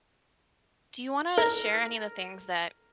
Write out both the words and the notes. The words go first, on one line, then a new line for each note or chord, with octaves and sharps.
Do you wanna share any of the things that
A#4